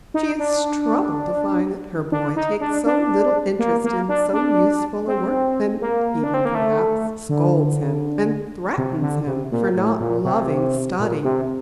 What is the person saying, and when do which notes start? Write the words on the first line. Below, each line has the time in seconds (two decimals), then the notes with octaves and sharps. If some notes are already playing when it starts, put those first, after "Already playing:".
She is troubled to find that her boy takes so little interest in so useful a work, and even, perhaps, scolds him, and threatens him for not loving study.
0.14 D#4
0.39 D4
2.12 D4
2.36 D#4
2.61 D4
2.86 D4
3.59 A#3
3.84 A#3
4.09 D4
4.33 D4
5.07 C4
5.81 A#3
6.24 D4
6.34 C4
6.45 A#3
6.55 A3
7.29 D3
8.78 C3
9.02 D3
9.26 C3
9.52 A#2
9.75 A2
10.00 A#2
10.25 C3
11.00 A#2
11.24 C3